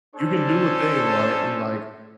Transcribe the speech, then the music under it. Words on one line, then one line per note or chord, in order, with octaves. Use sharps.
you can do a thing, right? And, like,
C#4 D4 A4 C5